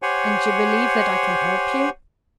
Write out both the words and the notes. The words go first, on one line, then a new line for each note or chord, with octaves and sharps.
"And you believe that I can help you?"
G4 C5 C#5 F#5 G#5